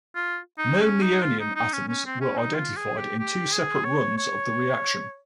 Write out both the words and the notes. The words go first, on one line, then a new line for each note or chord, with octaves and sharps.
No nihonium atoms were identified in two separate runs of the reaction.
F4
D#4
C#4
D#4
F4
D#4
D#4
C#4
C#4
C4
C#4
D#4
F4
G#4
G4
G4
G#4
C#5
C#5